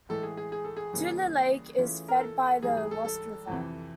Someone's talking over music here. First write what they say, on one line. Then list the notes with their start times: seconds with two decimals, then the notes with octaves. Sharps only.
Tule Lake is fed by the Lost River.
0.09 A2 E3 G#3 A4
0.23 G#4
0.37 G#4
0.52 G#4
0.64 A4
0.76 G#4
0.93 C#3 E3 G3 A#3 C#4
1.78 E3 A3 C#4 F4
2.08 A#4
2.20 A4
2.62 G#2 E3 G3 G#4
2.77 G#4
2.91 A4
3.05 A4
3.47 F2 C3 E3